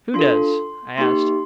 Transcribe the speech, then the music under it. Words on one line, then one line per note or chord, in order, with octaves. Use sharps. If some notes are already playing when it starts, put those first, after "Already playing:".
"Who does?" I asked.
D4 F4 A4 C6
A#3 D#4 G4 C6